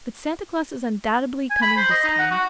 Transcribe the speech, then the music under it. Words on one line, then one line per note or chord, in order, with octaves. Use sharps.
But Santa Claus is undoubtedly coming this time.
G#5
B5
C5
D#5
D#4
F#5
F#4